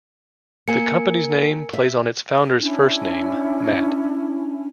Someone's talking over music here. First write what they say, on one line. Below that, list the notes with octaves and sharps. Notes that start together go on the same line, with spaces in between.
The company's name plays on its founder's first name, Matt.
A#3 A#4 G#5 C#7
E5
C#4 D4 E4